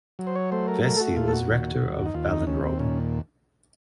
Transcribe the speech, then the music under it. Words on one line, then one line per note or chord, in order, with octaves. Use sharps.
Vesey was Rector of Ballinrobe.
F#3
C5
C#5
A3 C5
A#4
A3 A#4
A4
F#4
A#2 F4
A4
F#4
D#2
D#2
D#4
D#2 F4
D#4
D#2 C#4
C4
A#2 C#4